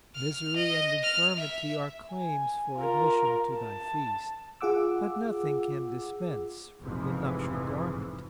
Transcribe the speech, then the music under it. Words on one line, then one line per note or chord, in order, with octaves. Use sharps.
Misery and infirmity are claims for admission to Thy Feast, but nothing can dispense from the nuptial garment.
F6
D#5
F6
E5
G#5
F4 A#4
A5
F4 G#4 F#5 D6 E6
F1 F2 G#2 E3 F3